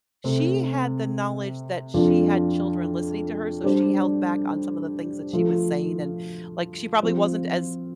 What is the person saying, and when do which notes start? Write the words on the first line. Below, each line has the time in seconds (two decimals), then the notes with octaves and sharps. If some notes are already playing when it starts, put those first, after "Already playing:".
she had the knowledge that she had children listening to her, so she held back on some of the things that she was saying, and, like, she probably wasn't as
0.24 C3 A3 C4
1.94 F2 F3 D4 F4
3.64 G3 D4 G4 C5
5.33 F3 A3 F4
7.03 F3 C4 F4